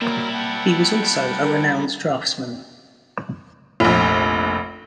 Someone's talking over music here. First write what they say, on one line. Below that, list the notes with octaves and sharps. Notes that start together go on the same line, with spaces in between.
He was also a renowned draftsman.
F#3 G3 A#3 E4 A#4
F#5 G5 A5
A#4 A#5
F1 A#1